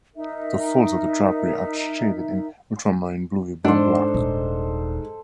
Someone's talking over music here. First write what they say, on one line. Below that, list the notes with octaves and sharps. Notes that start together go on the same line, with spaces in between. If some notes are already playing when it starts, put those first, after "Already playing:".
The folds of the drapery are shaded in ultramarine blue with bone black.
D#4 A#4 E5
G#2 D4 A4 C5
D#1